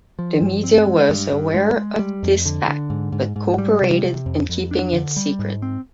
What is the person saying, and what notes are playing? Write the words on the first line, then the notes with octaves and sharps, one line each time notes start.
The media was aware of this fact but cooperated in keeping it secret.
F3
G2
C4
G#3
G2
G2
G#3
G#3
G3
F2
D3
D3
G#2
G#2
G#2
G3
C3
C3
F2
F2
D4
D3
G3
G#2
C4